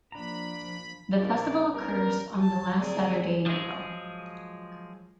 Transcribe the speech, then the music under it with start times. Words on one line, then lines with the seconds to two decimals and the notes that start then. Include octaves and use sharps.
The festival occurs on the last Saturday in April.
0.12 F3 A#3 D4 A#5 B5
1.17 A#1 D#2 D5
1.74 G3 B3 C#4 D4 A#4
2.41 A5
2.79 D2 C4 G#4 A#4 D5
3.46 F3 F#3 G#3 G#4